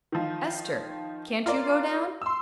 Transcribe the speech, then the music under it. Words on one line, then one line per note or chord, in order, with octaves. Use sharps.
Ester, can't you go down?
D#3 F3
F4 A#4 D5
C6 E6